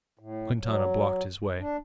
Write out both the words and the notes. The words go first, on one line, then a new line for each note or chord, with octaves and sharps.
Quintana blocked his way.
A2
F#3
D4